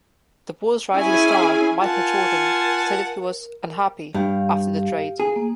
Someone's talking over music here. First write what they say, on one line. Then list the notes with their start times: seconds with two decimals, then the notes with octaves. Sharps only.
The Bulls' rising star Michael Jordan stated he was "unhappy" after the trade.
0.94 C#4 E4 G#4 G#5
1.81 F4 A#4 F#5 G#5 A5
4.14 G2 G4 F5
5.20 G#4
5.36 A#3